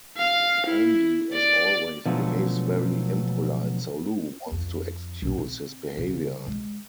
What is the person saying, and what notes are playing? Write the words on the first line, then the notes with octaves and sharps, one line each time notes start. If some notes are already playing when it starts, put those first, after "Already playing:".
Andy, as always, behaves very impolite, so Lou wants to excuse his behaviour.
F5
E4
D5
B2 D3 F3 F#3 G#3 A3
F2
A#1
C4
C#3
G#3